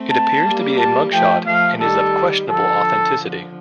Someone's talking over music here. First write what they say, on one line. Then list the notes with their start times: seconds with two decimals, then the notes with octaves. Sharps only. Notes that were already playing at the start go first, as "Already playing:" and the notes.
It appears to be a mugshot and is of questionable authenticity.
Already playing: A3 C4
0.10 A5
0.44 G3 A#3
0.78 A5
1.13 F3 A3 G5
1.47 F3 A3 F5
1.80 D#3 G3 A4
2.49 D3 F3 A4
3.18 D3 F3